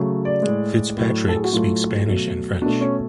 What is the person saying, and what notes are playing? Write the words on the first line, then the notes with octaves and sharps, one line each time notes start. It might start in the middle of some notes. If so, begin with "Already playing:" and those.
Fitzpatrick speaks Spanish and French.
Already playing: C#3 F#3 A3
D5
A2 G#3
A2 F#3 A3
A4
G#4
F#4
A2 F#3 A3 F4
B2 F#3 A3
B2 A3 D4
C#4